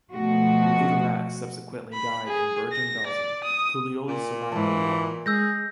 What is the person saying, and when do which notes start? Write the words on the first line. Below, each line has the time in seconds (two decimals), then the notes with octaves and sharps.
Rudellat subsequently died in Bergen-Belsen; Culioli survived the war.
0.13 B2 F3 A3 F#4
1.93 B5
2.28 G#4
2.72 A#6
3.07 D5
3.44 D#6
4.07 A#2
4.52 G#2 E3 A5
5.26 G#3 G#4 E6 G6 A#6